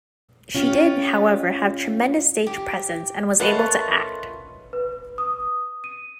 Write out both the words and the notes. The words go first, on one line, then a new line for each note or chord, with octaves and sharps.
She did, however, have tremendous stage presence and was able to act.
C#4 F4 G4
G4
A3 C#4 F4 A#4 B4 D#5 F#5 B5
B4
D#6
D#7